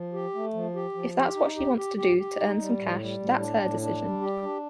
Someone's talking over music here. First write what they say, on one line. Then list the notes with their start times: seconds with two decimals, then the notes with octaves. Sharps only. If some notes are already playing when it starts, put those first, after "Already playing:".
If that's what she wants to do to earn some cash that's her decision.
Already playing: F3
0.13 G4
0.35 A3
0.54 F3
0.75 G4
0.95 F3
1.16 G4
1.35 D#4
1.56 G4
1.76 G4
1.97 G4
2.18 G4
2.38 D#4
2.59 G3
2.78 A2
3.00 G3
3.20 A2
3.39 D4
3.61 A2
3.81 D4
4.01 G3
4.21 G4
4.42 D4